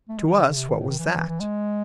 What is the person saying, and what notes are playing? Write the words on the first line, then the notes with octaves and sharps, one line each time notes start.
To us what was that?
A3
G#3
E3
D#3
C#3
C3
D#3
A2
D#3
E3
F#3
E3
E3
G#3